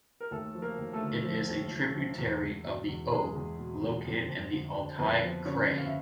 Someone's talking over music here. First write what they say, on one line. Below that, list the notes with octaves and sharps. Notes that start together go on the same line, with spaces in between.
It is a tributary of the Ob, located in the Altai Krai.
A#4
D#2 A3 A4
F3
A#3 A#4
D#2
A3 A4
D3
F3
D#2
F3
F3
E2
E2
B2
E2
E2 G#3 G#4
E2
B2
E2
F2
F2
D3
D3
F2 B3 B4
F3
D3 C#4 C#5
D3
F5
E5